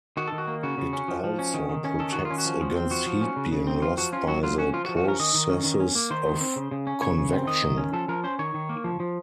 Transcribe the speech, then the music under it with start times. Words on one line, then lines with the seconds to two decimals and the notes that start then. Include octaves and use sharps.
It also protects against heat being lost by the processes of convection.
0.17 D#3 F#4
0.28 D#3 A4
0.38 F#4
0.47 A#3
0.63 C#3 F#4
0.78 C#3
0.93 C#4
1.08 F3
1.24 F3
1.39 C#4
1.54 D#3
1.69 D#3
1.85 C#4
1.99 D#3 A4
2.13 D#3 F#4
2.25 F4
2.30 C#4
2.38 F#4
2.45 F3
2.61 F3
2.75 C4
2.90 F3 F#4
3.06 F3
3.21 C#4
3.36 C#3
3.52 C#3
3.67 C4
3.82 F3 F4
3.97 F3 F#4
4.13 C#4 F4
4.28 F#3 F#4
4.43 F#3 F4
4.58 C#4 F#4
4.73 F3 F4
4.85 F#4
4.89 F3
4.97 F#4
5.04 C#4 A#4
5.19 D#3 D#5
5.34 D#3
5.50 C#4
5.65 D#3
5.80 C#4
5.95 A#3
6.10 D#3 C5
6.26 D#3
6.41 C4
6.56 C#3
6.71 C#3
6.87 C#4
7.02 C#3 C#5
7.17 C#3
7.33 C4
7.47 D#3 D#5
7.63 D#3
7.77 C#4
7.93 F3 A4
8.08 F3 A#4
8.24 C#4 C5
8.39 D#3 C#5
8.54 D#3
8.69 A#3
8.84 F3
9.00 F3